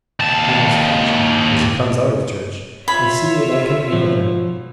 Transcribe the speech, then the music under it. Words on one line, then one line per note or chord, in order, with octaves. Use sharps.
I must catch him as he comes out of church, and see what I can make of him.
D#2 A5
F4 C#5 E5 B5 G#6
B2 F3 C4